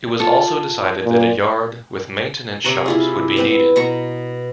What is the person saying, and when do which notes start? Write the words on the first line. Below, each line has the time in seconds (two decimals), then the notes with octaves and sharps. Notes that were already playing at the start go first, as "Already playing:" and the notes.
It was also decided that a yard with maintenance shops would be needed.
0.19 F4 A4 C#6
1.05 A#2
2.64 C3 C#5 F#5 A#5
2.86 E4 F4 G#4
3.37 B3 C4 B4 C5
3.76 B2 B3 A#5 C#6